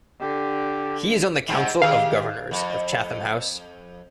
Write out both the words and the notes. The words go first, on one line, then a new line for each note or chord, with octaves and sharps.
He is on the council of governors of Chatham House.
D3 G4
G#2 C3 G3
D#3 G4 G#4 F5
F2